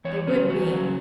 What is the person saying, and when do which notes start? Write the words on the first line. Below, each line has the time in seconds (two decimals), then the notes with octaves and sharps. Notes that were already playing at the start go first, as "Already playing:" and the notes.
They would me.
0.05 E2 C#5
0.27 C#3 F#3 C#4
0.49 E2 F#4
0.72 C#3 F#3